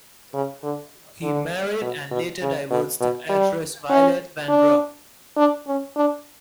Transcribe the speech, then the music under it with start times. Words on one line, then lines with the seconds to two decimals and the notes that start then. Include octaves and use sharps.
He married and later divorced the actress Violet Vanbrugh.
0.33 C#3
0.63 D3
1.22 D3
1.81 B2
2.11 B2
2.42 C#3
2.70 B2
3.00 B2
3.29 G3
3.89 C#4
4.48 D4
5.36 D4
5.67 C#4
5.96 D4